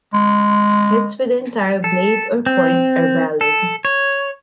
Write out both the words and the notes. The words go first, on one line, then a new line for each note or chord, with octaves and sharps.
Hits with the entire blade or point are valid.
G#3
A4
C4
A4
C#5